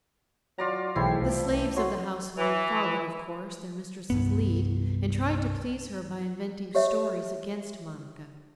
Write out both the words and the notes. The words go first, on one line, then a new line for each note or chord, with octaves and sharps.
The slaves of the household followed, of course, their mistress's lead, and tried to please her by inventing stories against Monica.
F#3 F4 D5 A#5
B1 G#2 E3 A3 E4 G4 C7
C2 F3
E3
F#4 C#5 C6
E3
C2 G2 B3
G4 C#5 E5